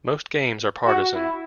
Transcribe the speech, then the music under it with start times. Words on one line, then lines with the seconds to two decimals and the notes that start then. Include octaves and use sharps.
Most games are partisan.
0.86 F#4
1.14 E4